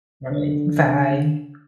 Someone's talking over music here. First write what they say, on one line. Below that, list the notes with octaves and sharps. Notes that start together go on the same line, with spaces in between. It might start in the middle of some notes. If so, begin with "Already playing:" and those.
Right, bye.
D3